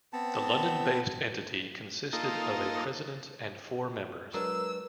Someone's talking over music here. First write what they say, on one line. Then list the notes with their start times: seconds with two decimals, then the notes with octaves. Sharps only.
The London-based entity consisted of a president and four members.
0.13 B3 C4 A5
2.13 A#3 D#4 F4 A4
4.34 F#3 G#3 D4 A#4 B4 E6